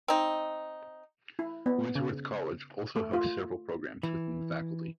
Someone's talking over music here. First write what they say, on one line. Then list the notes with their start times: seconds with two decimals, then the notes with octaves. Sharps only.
Woodsworth College also hosts several programs within the faculty.
0.08 C4 D#4
1.39 E4
1.66 B3
1.95 C#3
2.96 A3
3.13 F4
4.03 E3